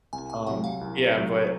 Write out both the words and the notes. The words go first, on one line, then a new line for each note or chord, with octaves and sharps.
Um, yeah, but
C2 G#5
G#5
C3 F#3 F#5
F5
C2
C3 F#3